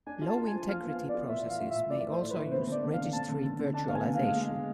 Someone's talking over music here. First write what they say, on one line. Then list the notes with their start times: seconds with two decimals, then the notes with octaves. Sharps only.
Low integrity processes may also use Registry virtualization.
0.06 D4 G#5
0.22 F4
0.27 A5
0.37 F4
0.47 G#5
0.53 F3
0.68 F3 F5
0.83 B3 F5
0.99 B3
1.09 D5
1.15 F4
1.29 A2 E5
1.45 E3 F5
1.59 A2
1.70 E5
1.75 A2
1.90 E3 D5
2.06 A3 C5
2.22 A2
2.31 B4
2.36 E3
2.51 B3 C5
2.67 D3 D5
2.83 D3
2.93 F5
2.98 D3
3.13 D3 A5
3.29 D3
3.43 D3
3.59 D3
3.74 D4 A5
3.88 B3 F5
3.95 G#5
4.05 D3
4.15 F5
4.20 G#3
4.35 G#3
4.51 G#3